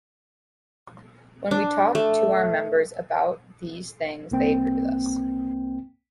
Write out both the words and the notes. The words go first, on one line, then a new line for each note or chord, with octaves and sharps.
When we talk to our members about out these things they agree with us.
D4
A3
C2 A#3 C4 G5